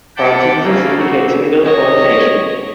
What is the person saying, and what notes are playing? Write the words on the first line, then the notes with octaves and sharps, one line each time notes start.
Parentheses indicate Senegal pronunciation.
F#5 G5 A5 B5 D6 G6
C#3 A3 A#3
C4 F#4
C#5 D#5